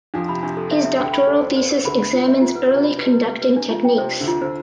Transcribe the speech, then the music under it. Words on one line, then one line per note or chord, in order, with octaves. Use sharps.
His doctoral thesis examines early conducting techniques.
F2 F3 D4
C3 B5
C3 D4
A4
E5
E5
D2 D3 G5
B5
A4
C5
C5
A4
D2 D3 B5
B5
F4
E5
F4
B4
C3 B4
B5
B4
B4
B4
B4
D4
F4
G5
C3 C5
C5
D2 D3
F4
D3 C5